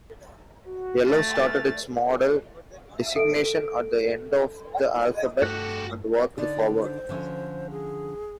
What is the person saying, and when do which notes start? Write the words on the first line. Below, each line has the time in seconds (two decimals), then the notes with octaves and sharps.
Yellow started its model designation at the end of the alphabet and worked forward.
0.65 F#4
1.07 A3 A6 A#6
1.37 F6
3.16 A4 D7
5.42 G2 A3 F#4 G4 A4 F#6
6.38 D3 D4 D#4 D5
6.74 C5
7.09 D3 F3 C#4
7.71 G#4